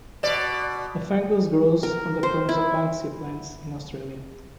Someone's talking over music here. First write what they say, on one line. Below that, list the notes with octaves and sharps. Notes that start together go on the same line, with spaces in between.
The fungus grows on the cones of "Banksia" plants in Australia.
B2 D5
A#4
C5
E4